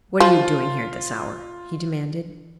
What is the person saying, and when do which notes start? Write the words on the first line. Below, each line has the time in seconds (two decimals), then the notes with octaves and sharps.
"What are you doing here at this hour?" he demanded.
0.20 F3 F4